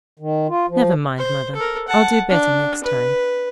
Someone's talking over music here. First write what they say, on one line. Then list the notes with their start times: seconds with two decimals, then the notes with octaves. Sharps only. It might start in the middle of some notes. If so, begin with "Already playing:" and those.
'Never mind, Mother; I'll do better next time.'
0.19 D#3
0.48 F4
0.69 F3
1.19 C5
1.56 A4 A#4
1.88 F#5 A5
2.29 D4
2.84 B4